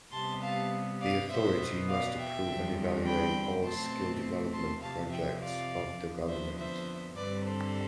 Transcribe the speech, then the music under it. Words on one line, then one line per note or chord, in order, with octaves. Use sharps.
The authority must approve and evaluate all skill development projects of the government.
C3 G3 B3 A5 C6
F5 A5
D5 F5
B2 B3 C5 E5
D5 F5
E5 G5
E2 D3 G3 C4
G5 B5
B2 A3 C4 A5 C6
A5 C6
F2 C3 F3 F5 A5
E5 G5
D5 F5
F2 D3 F3 B3
C5 E5
C5 E5
G2 D3 G3 C4 B4 D5
A4 C5